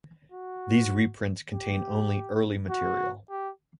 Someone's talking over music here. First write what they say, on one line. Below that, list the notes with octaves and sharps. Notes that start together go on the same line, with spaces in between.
These reprints contain only early material.
F#4
G4
F#4
G4